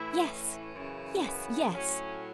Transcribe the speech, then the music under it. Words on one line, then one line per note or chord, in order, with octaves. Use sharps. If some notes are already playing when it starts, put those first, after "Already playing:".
Yes, yes, yes!
Already playing: A2 E3 E4
C#4
F#2 C#3 E3
B3
A2 F#3 C#4